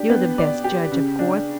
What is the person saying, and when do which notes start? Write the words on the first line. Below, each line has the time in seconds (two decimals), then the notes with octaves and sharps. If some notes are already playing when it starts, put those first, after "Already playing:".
You're the best judge of course.
Already playing: D4 G4
0.10 B3
0.38 D5
0.64 G4
0.92 C#3
1.19 D4